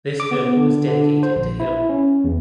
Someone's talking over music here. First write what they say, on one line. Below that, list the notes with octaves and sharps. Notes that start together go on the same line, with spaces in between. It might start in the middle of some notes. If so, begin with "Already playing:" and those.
This film was dedicated to Hill.
D6
B3
D3
D3
C5
A#1
E4
C#4
E2